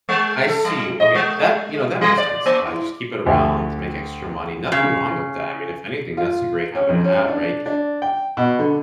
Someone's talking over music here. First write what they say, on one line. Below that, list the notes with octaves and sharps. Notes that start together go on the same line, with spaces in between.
I see, you Okay. That You know, that makes sense, uh, just keep it around to make extra money. Nothing wrong with that, I mean, if anything, that's a great habit to have, right?
G#3
A4
G3
D#5
G#3
G3
D5
A#3
E4
D2 G4 E5
C#3
F4
C#4
F2
C#4
D4
D4
G5
B2
D3